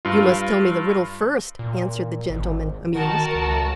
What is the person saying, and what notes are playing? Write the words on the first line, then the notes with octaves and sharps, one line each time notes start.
"You must tell me the riddle first," answered the gentleman, amused.
G2 F4
A#2
G#1
D#3 F#4 A#4 A5
C#2